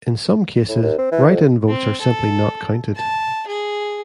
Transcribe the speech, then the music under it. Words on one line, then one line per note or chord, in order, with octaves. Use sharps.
In some cases, write-in votes are simply not counted.
A2
D#2
C4
E3
F2
C4
A4
A5
G#4